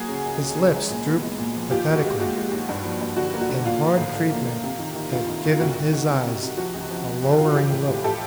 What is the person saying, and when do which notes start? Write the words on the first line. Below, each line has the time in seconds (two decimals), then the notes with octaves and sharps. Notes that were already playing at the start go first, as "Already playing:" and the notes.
His lips drooped pathetically, and hard treatment had given his eyes a lowering look.
Already playing: F#3 A#3 F#4 G#4
0.09 C#3
0.26 C#2
0.42 C#2
0.58 C#2
0.74 G#3
0.90 A#2
1.06 B3
1.23 G#3
1.38 A#2
1.55 F3
1.71 D#2 F4 G4
1.88 D#2
1.96 F#4
2.04 G#3
2.20 G#3 F#4
2.37 G#3
2.52 D#2
2.69 G2
2.85 F3
3.01 G2
3.17 D3 F#4
3.34 A#3
3.41 F#4
3.49 D3
3.65 A#3 F4
3.83 F3
3.98 A2
4.15 A2
4.31 A#3
4.47 A#3
4.64 C3
4.79 D#3
4.96 D#3
5.12 D2 F4
5.29 D#3
5.45 D#3
5.52 F4
5.60 C2 F#4
5.76 C2
5.93 D#3
6.08 C3
6.25 C3
6.41 C3
6.57 F3 F#4
6.74 C#2
6.91 F3
7.06 C3
7.22 C#2
7.38 C#2 F4
7.47 F#4
7.55 E3 F4 G4
7.71 A2
7.88 A2
8.04 A2 G4 A4